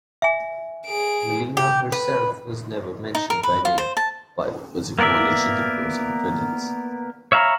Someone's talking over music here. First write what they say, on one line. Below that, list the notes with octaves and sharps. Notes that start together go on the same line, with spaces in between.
Mileena herself was never mentioned by name but was acknowledged in the closing credits.
E5 G#5
G#4 D7
G4
B4
D#4
A#4
B4
F4
C5
A5
A#3 B3 A#4 D5 E5
C#5 E5 F5 A#5 B5